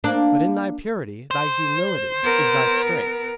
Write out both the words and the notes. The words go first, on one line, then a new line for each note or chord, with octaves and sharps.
But in thy purity, thy humility, is thy strength.
A#3 D4
C5
B3 A#4